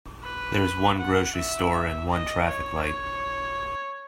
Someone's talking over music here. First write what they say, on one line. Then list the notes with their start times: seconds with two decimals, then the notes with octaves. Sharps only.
There is one grocery store and one traffic light.
0.24 B4
0.98 F#5
1.36 E5
2.10 D#5
2.47 C#5
2.84 C#5